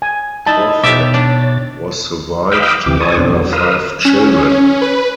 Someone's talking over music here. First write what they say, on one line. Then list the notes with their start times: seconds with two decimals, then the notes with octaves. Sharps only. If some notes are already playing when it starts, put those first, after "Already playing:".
Prophet was survived by her five children.
0.02 G#5
0.47 D#4 E4 A5
0.83 B2 G4 C#5 E5 D6 A6
1.14 D4
2.52 D#5 F5 G5 B5 D6 E6
2.86 D2 C3 E3 G4 D6
3.00 C#5 G#5 A5 D#6
3.17 F2 B2 D3 C4 D4
3.36 F#3
3.53 A#4 B4 F5 D#6 E6
4.05 C#4
4.49 C#4
4.82 B4